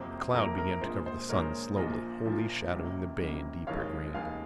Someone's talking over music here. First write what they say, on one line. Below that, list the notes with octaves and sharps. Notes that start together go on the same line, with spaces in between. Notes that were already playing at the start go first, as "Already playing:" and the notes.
A cloud began to cover the sun slowly, wholly, shadowing the bay in deeper green.
Already playing: F2 C3 F#3 A#3 C5
F2 C3 F#3 A#3 A#4
A#4
A#1 A#2 G#3 C5
C5
A#1 A#2 G#3 A#4 C#5
A#1 A#2 F3 A#3 C5 D#5
A#1 A#2 F3 A#3
C#2 C3 F#3 A#3
C#2 C3 F#3 A#3
F1 D#2 D#3 G#3 C#5 F5
F1 D#2 D#3 G#3 F5 G#5